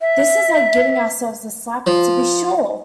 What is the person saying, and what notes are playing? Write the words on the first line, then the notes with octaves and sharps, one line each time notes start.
This is like giving ourselves a slap, to be sure!
E5
F3